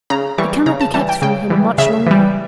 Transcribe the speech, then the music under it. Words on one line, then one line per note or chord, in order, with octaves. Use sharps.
It cannot be kept from him much longer.
C#3 A#5
E3 G3 C#6
C#3 A#5
A5
E3 G3 A5
G5
C#3 G5
E3 G3
C#3 E5
E3 G3